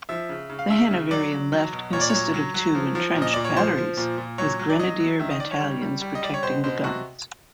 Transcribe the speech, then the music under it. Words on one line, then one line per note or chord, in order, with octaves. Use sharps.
The Hanoverian left consisted of two entrenched batteries, with grenadier battalions protecting the guns.
F3 E5
C#3
C#3
F5
C#3 E5
C#3
F#3 D5
F#3
F#3
B2
A#2 C#5
D5
F#3 C#5
F#3
F#3
F3
F3
A#2
D#5
A#2 D5
C#5
F3 C5
F3
A#2
A#2
F#3 C#5
F#3
D5
F#3 D#5
F#3
D#3 E5
D#5
D#3 D5
C#5
G3
G3
G3
D#5
G3 D5
C#5
B2 C5
B2 C5
C3 F#4